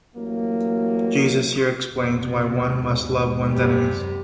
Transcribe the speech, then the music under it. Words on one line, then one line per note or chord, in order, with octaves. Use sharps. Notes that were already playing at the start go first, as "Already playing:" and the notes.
Jesus here explains why one must love one's enemies.
A1 F#3 A#3
F1 C3 B3
D#2 G#2 G#3
F#2 C3 G3